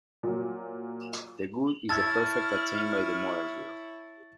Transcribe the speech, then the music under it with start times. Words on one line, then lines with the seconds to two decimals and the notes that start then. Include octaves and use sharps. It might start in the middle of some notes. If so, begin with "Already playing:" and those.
The good is the perfect attained by the moral will.
0.23 A#2 F#3
1.89 E4 C#5 A5 E6 F6 G#6 A6